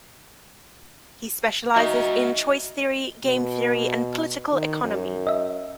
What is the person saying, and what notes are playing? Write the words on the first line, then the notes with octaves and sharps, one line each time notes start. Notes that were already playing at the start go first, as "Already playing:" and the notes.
He specializes in choice theory, game theory, and political economy.
D#4 F#4 E5
B2
D#3
F#2
D#5 E5